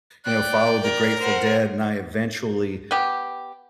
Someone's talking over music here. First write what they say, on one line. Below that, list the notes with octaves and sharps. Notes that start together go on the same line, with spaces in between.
you know, follow the Grateful Dead, and I eventually,
D5 G5 F#6
A#4
C5 F#5
B3 G4